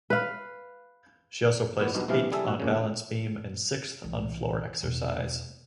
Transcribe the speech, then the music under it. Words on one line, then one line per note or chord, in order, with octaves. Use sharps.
She also placed eighth on balance beam and sixth on floor exercise.
B4 F5
E2 A#2 B3
B1 E2 G2 B2
A#1 G2 C3 E3 F5
G3 G#4 A4 E5
A#1 F#4
A#1 A#2 C#3
C2 E3
E2 B2